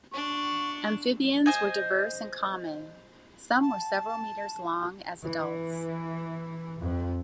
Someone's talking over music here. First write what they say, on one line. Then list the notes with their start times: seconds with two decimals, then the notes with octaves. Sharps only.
Amphibians were diverse and common; some were several meters long as adults.
0.13 D4 C#6
1.46 C5 D#5 G#5
3.61 A5
5.23 E3
6.80 F2